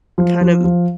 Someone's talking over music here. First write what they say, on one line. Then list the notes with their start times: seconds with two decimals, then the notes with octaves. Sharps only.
kinda m
0.18 F3
0.41 F3
0.64 F3